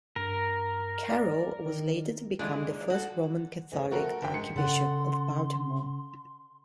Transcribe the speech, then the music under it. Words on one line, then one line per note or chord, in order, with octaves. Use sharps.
Carroll was later to become the first Roman Catholic archbishop of Baltimore.
G2 A#4
D5
D#3
A#2 D3 E3 G#3 D4
F#4 A4
D2 C#3
F3 A3 C4 F#4 A4 A#4
F#1 D4 G5
G#2 C#7
C#3 A4 F#5 C6